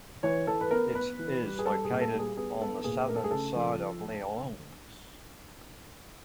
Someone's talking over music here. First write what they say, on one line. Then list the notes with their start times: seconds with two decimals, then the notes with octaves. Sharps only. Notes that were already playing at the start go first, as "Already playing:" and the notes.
It is located on the southern side of Lyons.
0.23 E3 C#5
0.47 E3 A4
0.61 B4
0.71 B3 A#4
0.95 B3 B4
1.19 E3
1.43 G3
1.59 G#4
1.66 G3 A4
1.84 G#4
1.90 A#2
2.01 A4
2.13 G3
2.19 G#4
2.37 B3 G#4
2.61 B3 A4
2.84 A#2 G#4
3.08 A3 A#4
3.16 A4
3.24 G#4
3.31 C#3 A4
3.56 F3